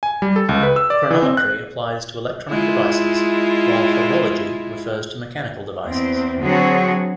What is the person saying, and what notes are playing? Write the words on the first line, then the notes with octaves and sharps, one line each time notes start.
Chronometry applies to electronic devices, while Horology refers to mechanical devices.
G#5
G3
A4
C#2
B4
E6
D5
E3
C4
F#6
G#3 E4 F4
E2 C4
D3 F#3 C4 F#4 G#4 C#5